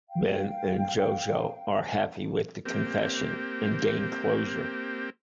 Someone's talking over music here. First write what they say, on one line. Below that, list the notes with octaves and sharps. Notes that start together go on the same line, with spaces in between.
Ben and Jojo are happy with the confession and gain closure.
F5 G5
A#3 C4 G4